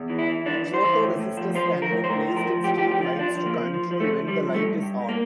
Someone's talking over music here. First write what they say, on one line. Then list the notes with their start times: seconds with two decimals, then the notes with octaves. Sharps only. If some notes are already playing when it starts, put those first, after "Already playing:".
Photoresistors can be placed in streetlights to control when the light is on.
Already playing: E2
0.10 E3
0.19 E4
0.28 E3
0.46 E3 D4
0.65 E3
0.74 C5
0.83 E3
1.01 A2
1.19 A2
1.37 F3
1.55 F3 C5
1.73 F3
1.82 A#4
1.91 A2
2.04 C5
2.09 A2 A#4
2.28 F3
2.37 A#4
2.46 F3
2.64 A2 G4
2.78 G4
2.82 F3
2.91 G4
3.01 F3 F4
3.19 F3 D4
3.37 F3
3.46 A#3
3.55 F3
3.74 F3
3.91 F3
4.00 A3
4.09 F3
4.27 F3 G3
4.46 G2
4.54 A3
4.63 G2
4.83 G2
5.00 G2
5.09 A#3